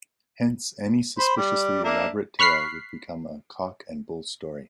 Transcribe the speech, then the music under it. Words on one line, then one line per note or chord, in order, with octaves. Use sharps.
Hence any suspiciously elaborate tale would become a cock and bull story.
C5 B5
G3 D5
A#3 D4 E5
B5 C#6 F6 F#6 B6 C7